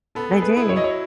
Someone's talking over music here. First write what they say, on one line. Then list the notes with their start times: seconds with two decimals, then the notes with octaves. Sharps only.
They do.
0.15 B3 A4
0.32 G#4 A4
0.42 B4
0.56 E4
0.69 C#5
0.76 F#3 D#5
0.84 C#5